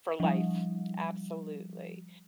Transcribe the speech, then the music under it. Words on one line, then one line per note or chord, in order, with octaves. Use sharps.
for life. Absolutely.
F3 G3